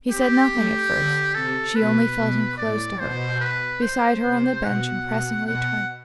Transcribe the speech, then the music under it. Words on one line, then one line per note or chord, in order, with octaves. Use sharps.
He said nothing at first; she only felt him close to her--beside her on the bench and pressingly turned to her.
C4 G4
A3
D3
C3 A4
B2 B4
B2
A2 D5
B2 C5
B4
C5
C3
B2 F#5
B2
B2 F#5